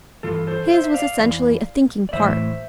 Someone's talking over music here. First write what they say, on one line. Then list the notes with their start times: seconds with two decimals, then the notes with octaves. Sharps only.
His was essentially a thinking part.
0.23 G2 E3 F4 A4
0.47 A4 C5
0.70 C5 E5
0.84 E5
0.94 D5 F5
1.19 F2 E3
2.09 D5
2.13 A2 E3 C5 E5